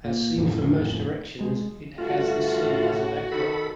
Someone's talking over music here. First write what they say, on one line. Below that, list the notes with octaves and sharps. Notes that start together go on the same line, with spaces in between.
As seen from most directions it has the sea as a backdrop.
A#2
D#1 F2 A2
G#3
G1 A3 F4 F#4
A2
D#3 A4 B5